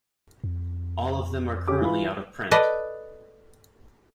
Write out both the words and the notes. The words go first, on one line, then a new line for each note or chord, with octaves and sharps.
All of them are currently out of print.
F2
C#4 G4 D6
E3 F4 B5
A4 B4 D5 D#5